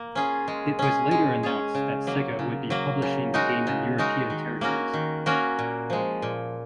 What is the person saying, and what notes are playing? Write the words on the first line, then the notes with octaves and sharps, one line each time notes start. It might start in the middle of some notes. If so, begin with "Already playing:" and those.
It was later announced that Sega would be publishing the game in European territories.
Already playing: A#3
C#4 F4 G#4
G#3
C#4 G#4
G#3
C#4 G#4
C#3
F#3 A#3
C#3
F#3 A#3
C#3
G#3 D#4 F#4 A#4
C#3
G#3 D#4 F#4 A#4
D#3
A#3 C#4 F#4 A#4
D#3
A#3 C#4 F#4 A#4
A#2
F3 G#3
A#2